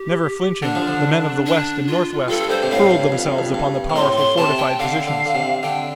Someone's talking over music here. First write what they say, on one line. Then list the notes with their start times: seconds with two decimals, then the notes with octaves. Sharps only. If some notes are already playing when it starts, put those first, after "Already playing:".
Never flinching, the men of the west and northwest hurled themselves upon the powerful fortified positions.
Already playing: G4
0.62 D3 D4
0.75 F3
0.88 D3
1.46 D4
1.87 F4
2.28 G2 A4
2.50 G2 C5
2.63 C3
2.71 A2 F5
2.91 G2
3.12 F2
3.26 G2
3.38 F2
3.54 G2
3.90 C3
3.96 A2 C6
4.16 C6
4.37 C3 A5
4.58 G5
4.79 D3 F5
5.07 D3
5.26 D3
5.35 C3
5.63 D3 G5